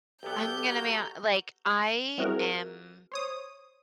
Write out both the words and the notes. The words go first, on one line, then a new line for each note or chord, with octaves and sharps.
I'm gonna be ho like, I am
B1 B3 G4 A4 D#5 G5 G6
F#4 A4 A#5
G3 C4 E4 F#4 G#4 A#4
C5 C#5 D#6